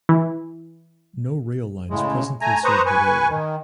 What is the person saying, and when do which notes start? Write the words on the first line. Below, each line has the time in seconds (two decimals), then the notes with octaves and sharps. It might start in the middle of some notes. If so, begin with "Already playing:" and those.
No rail lines presently serve the area.
0.09 E3
1.91 A2 C#3 G#3
2.41 A3 G#5 A#5
2.64 B4 C5 A#5 C#6 D#6
2.86 B4 G#5 C#6
3.29 D#3